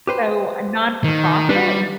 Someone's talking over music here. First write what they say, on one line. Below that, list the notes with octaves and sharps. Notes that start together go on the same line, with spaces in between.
So a non-for-profit?
G4 B4 C5
D#3
G3 D4 B4